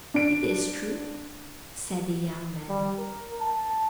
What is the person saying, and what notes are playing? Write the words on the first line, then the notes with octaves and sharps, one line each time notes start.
"It is true," said the young man.
D4 D7
G3
A#4
A5